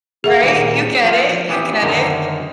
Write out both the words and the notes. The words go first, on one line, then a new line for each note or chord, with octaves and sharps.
Right? You get it, you get it.
G#4 E5 F#5
D#2 A#2
F3 F4
E3 B3 G4
F#2 D3 D#3